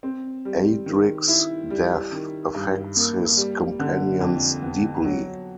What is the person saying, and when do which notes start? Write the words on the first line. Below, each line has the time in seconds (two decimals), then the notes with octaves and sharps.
Adric's death affects his companions deeply.
0.03 C4
0.45 G3
0.86 D#3
1.28 E4
1.70 G3
2.12 D#3
2.55 G2
2.96 A#3
3.37 G3
3.79 D3
4.21 F2
4.63 B3
5.05 F#3